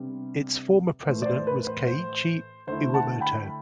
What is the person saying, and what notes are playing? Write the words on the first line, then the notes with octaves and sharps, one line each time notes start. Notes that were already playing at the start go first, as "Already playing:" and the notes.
Its former president was Keiichi Iwamoto.
Already playing: C3 G3 B3 D4
A2 E3 A3 C5
D5
C5
B4
C5
C5
D3 A3 E4 C5
F#5 A5
G5 B5